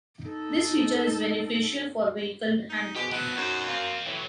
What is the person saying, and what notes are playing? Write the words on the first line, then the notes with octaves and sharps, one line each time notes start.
This feature is beneficial for vehicle handling.
D#4 A4
D#4
B2 G#3 G4
F3 F#3 B3 F#4
F#2 D#4 C5
A#3 C4 F4
A2 E3 F#3